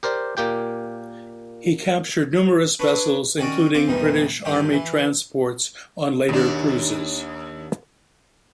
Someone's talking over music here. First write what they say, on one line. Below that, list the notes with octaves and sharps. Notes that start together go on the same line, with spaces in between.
He captured numerous vessels including British army transports on later cruises.
G4 A#4 C5 D5
A#2 A#3 G4 G5
D4 B4 C#5
D#3 C#4 F#4 D5
C4 F4 D6
A#1 E2 G3 D#4
G2 D#3 G4
E3
D#2 D4